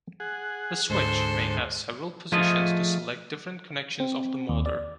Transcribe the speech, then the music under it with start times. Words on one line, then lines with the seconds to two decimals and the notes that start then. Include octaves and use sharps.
The switch may have several positions to select different connections of the motor.
0.20 G#4 F#5
0.90 D2 G#2 A4 C5
2.32 F3 A3 F4 G#4 D#5
4.00 C4
4.49 D#2
4.66 D5